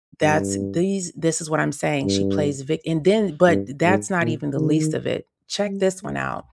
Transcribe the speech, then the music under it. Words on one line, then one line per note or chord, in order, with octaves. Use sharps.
that's these this is what I'm saying. She plays vi and then but that's not even the least of it. Check this one out.
G2
G2
G2
G#2
A#2
D#3
G3
G#3